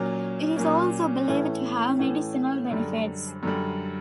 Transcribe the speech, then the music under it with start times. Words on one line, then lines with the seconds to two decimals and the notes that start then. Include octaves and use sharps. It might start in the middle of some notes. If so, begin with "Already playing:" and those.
It is also believed to have medicinal benefits.
Already playing: A#2 F#3 A#3 C#4
0.56 A#2 F#3 A#3 C#4
1.28 A2 E3 A3 C#4
1.99 A2 E3 A3 C#4
2.71 F#2 D3 G3
3.43 F#2 D3 G3